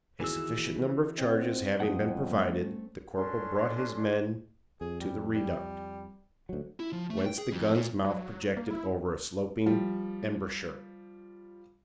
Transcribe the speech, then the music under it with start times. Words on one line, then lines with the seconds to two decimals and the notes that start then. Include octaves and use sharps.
A sufficient number of charges having been provided, the corporal brought his men to the reduct, whence the gun's mouth projected over a sloping embrasure.
0.20 D#3 E3 B3 E4 F#4 G#4 E6
1.18 C4 D#5 F#5
1.80 F2 F#3 G3 B3 F#5 G5 D#6
2.31 A3 C4 C#4
3.14 C#4 D4 A4 C6
4.81 F2 G#4
5.00 G3
5.34 G3
6.49 D2 F#3
6.80 E4
6.93 F3
7.10 A3
7.26 G5
7.38 G#4
7.53 F2
7.74 A#2
8.05 F#3
8.57 A#3
8.70 E4
9.66 F3 G3